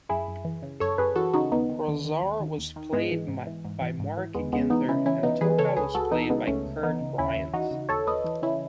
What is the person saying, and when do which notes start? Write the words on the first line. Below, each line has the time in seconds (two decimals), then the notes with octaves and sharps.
Rahzar was played by Mark Ginther and Tokka was played by Kurt Bryant.
0.09 F#2 E4 G#4
0.28 F#2
0.45 E3
0.62 C#3
0.80 F#2 A4 C#5
0.98 F#2 G#4 B4
1.16 E3 F#4 A4
1.33 C#3 D#4 F#4
1.51 D#2 B3 D#4
1.69 D#3
1.87 D#2
2.05 D#3
2.22 D#2
2.40 D#3
2.58 D#2
2.76 D#3
2.93 G#2 G#3 B3
3.11 E3
3.28 G#2
3.47 E3
3.64 G#2
3.82 E3
3.99 G#2
4.17 E3
4.35 E2 G#3 B3
4.52 E2 G#3 B3
4.70 E3 B3 D#4
4.89 C#3 C#4 E4
5.05 E2 C#4 E4
5.23 E2 B3 D#4
5.41 E3 G#4 B4
5.58 C#3 A4 C#5
5.77 C#2 G#4 B4
5.94 C#2 F#4 A4
6.12 E3 B3 D#4
6.30 C#3 G#3 B3
6.47 C#2 A3 C#4
6.66 C#2
6.83 E3 B3 D#4
7.01 C#3
7.18 D#2 C#4 E4
7.36 D#2
7.54 E3 D#4 F#4
7.71 C#3
7.89 D#2 A4 C#5
8.07 D#2 B4 D#5
8.24 E3
8.42 C#3 C#4 E4